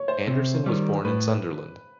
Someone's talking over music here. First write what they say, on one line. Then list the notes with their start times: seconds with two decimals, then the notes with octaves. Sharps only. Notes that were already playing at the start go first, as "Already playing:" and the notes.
Anderson was born in Sunderland.
Already playing: C#5
0.08 C5
0.28 C3
0.66 D#3 G3
1.05 A2 B4